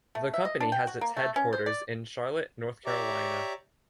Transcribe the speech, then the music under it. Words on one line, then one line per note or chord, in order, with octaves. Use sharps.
The company has its headquarters in Charlotte, North Carolina.
A3
E5
D#5
D4
G5
F#4
A#3
A3
C#4
C5
D5
G4 C#5 D5 E5 A#5 D6